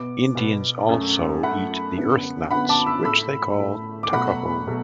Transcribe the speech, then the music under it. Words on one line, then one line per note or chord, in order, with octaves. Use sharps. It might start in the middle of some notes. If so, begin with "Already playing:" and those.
Indians also eat the earth-nuts, which they call tuckahoe.
Already playing: B2 B3 D6
B2 B3
F#2 F#3 A3
F#2 F#3 A3 F#5 B5
F#2 D3 B3
F#2 D3 B3 F#5 B5
A5 D6
B5 E6
A2 A3 B5 E6
A2 A3
D6
B2 F#3 A3 F#5 B5
B2 F#3 A3